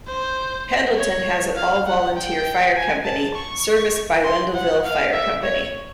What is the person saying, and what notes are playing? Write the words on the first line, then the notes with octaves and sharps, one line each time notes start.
Pendleton has an all-volunteer fire company serviced by Wendelville Fire company.
C5
C#5
F5
F#5
G5
G#5
A5
C#6
C6
F#5
F5
E5
C#5